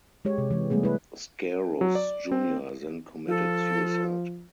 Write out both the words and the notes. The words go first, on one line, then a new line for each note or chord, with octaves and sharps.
Scaurus Junior then committed suicide.
G#3 G4 C#5
C3
E3 G#3
G3 A3 B3 G#4
E4 B4
F#3
D5
C4
F3 F4 A4